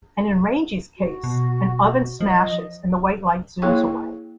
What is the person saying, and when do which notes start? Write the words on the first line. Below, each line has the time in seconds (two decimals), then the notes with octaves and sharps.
And in Rangy's case, an oven smashes and the white light zooms away.
0.98 F#4
1.24 B2
2.21 F3 D#5
3.62 A#3 E4 G#4 C#5 G5 C#6